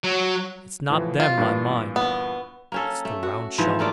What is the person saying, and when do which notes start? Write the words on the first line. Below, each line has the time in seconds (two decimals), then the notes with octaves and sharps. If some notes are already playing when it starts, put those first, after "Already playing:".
It's not them I mind; it's the round-shot.
0.04 F#3
0.90 A2 E3 F3
1.20 F4
1.38 G2 A#2 E3
1.96 B3
2.72 A#3 C#4 A4
3.05 A3
3.23 F#4
3.58 G#2 E3 F3
3.79 A3 A#3 F4 D5